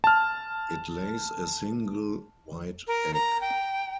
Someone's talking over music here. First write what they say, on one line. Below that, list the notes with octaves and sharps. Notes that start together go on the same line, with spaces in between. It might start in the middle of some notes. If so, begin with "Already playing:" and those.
It lays a single white egg.
A5 F6
A#4
A#5
G5